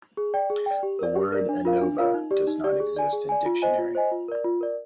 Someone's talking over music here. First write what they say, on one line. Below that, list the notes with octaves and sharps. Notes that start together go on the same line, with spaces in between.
The word "Innova" does not exist in dictionary.
G#4
D5 G5
G#4
D5 G5
G4
A#4 D5
G4
A#4 D5
D4
F4 A#4 F5
D4
F4 A#4 F5
D#4
G4 D5
D#4
G4 D5
G#4
D5 G#5
G#4
D5 G#5
F4
C5 D#5 G#5
F4
C5 D#5 G#5
F4
A#4 D5
F4
A#4 D5